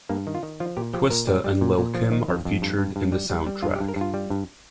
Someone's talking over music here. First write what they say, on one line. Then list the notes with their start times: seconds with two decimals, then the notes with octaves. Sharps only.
Twista and Lil' Kim are featured in the soundtrack.
0.09 G2 A#3
0.27 D#3
0.35 F4
0.43 D#3
0.60 F3 F4
0.77 A#2 G4
0.94 F3 G4
1.10 A#2 A#4
1.27 G3
1.44 G3
1.61 A#2
1.78 A#2
1.95 F3
2.12 D#3
2.28 F2
2.45 F2
2.62 G2
2.78 G2
2.96 G2
3.12 G3
3.30 G3
3.46 G3
3.62 G2 F4
3.76 G4
3.80 G2
3.88 A#4
3.96 G2 F4
4.14 G3
4.30 G2